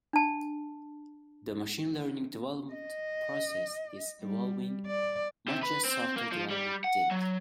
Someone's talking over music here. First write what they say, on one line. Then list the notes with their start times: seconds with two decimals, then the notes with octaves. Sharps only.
The machine learning development process is evolving much as software development did.
0.13 D4 A5
2.73 D#5
4.21 G3
4.86 D5
5.48 C3
5.63 B4
5.85 C4
6.17 A#3
6.32 F3
6.50 G3
6.84 F#5
7.11 F#3